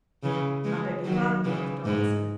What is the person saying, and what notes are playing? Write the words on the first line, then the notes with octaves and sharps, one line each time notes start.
'I beg your pardon, Dr. Donaldson.
C#3 E3
E3 G#3
D#3 F#3
C#3 E3
G#2